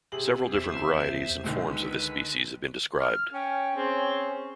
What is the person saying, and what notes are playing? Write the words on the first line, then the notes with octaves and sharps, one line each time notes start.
Several different varieties and forms of this species have been described.
C3 C4 G#4 F#7
E2 C5 E5
C#2 D3 D#3
B4
F6
C#4 G5
C4 C#4 G#4